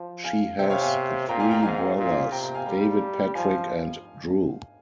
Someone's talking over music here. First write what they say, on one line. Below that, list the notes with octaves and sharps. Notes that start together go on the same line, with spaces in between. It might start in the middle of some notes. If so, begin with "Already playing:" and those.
She has three brothers: David, Patrick and Drew.
Already playing: F3
F5 G#5
C3 E5 G5
C#5 F5
F5 G#5
A#2 G5 A#5
F5 G#5
G5 A#5
G#2 F5 G#5
A#2
C3 G5 A#5
G5 A#5
F5 G#5
G3 G5 A#5
F3 F5 G#5